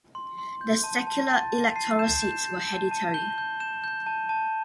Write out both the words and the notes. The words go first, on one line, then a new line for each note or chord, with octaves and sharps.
The secular electoral seats were hereditary.
C6
C6
G6
A5
A5
A5 A6
A5
A5 C7
G6 E7
G6 E7
G6
A5
A5
G6 G7
G6
G6 E7
G6
A5
A5